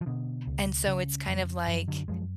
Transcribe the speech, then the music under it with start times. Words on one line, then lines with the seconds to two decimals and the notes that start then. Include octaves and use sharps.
and so it's kind of like,
0.01 F3
0.06 B2 D3
0.47 C#2
0.87 C#3
1.28 F2
1.68 F#2 F3
1.88 D3 F#3
2.08 F#2 F3 G#3